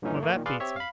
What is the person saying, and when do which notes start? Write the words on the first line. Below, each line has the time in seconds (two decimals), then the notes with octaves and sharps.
Well, that beats me.
0.02 G2 A#2 D3 E3 C#4 D#4
0.20 A3 A#3
0.33 A#2 D#3
0.46 G#4 B4 D5 F5 C6
0.60 C4 G4 C#5 E5
0.76 F5 B5